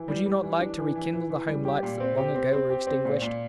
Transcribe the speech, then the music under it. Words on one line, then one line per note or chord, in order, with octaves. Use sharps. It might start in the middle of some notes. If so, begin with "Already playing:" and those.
Would you not like to rekindle the home lights that long ago were extinguished?
Already playing: E3
G3
G3
E3
D4
E3
E3
E3
E3
G3
G4
A#2
C4
G4
C4
C4
G4
C4
A#2
A#2